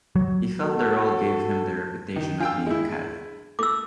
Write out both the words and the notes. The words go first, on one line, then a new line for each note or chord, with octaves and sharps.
He felt the role gave him the reputation of being a cad.
F#3
F#4 A4
D#3
D4 F4 G5 E6
G#3 E4
A3 D6 E6